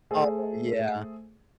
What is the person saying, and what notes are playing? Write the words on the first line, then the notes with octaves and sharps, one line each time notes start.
Oh yeah.
A3 G#4 A4 C5